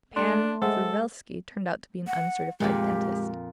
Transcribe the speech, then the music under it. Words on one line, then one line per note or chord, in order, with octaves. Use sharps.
Pan Vrublevsky turned out to be an uncertificated dentist.
A3 D4 C6
G#3 A4 C5 E5 F#5
F#5
F2 A#2 G#3 G4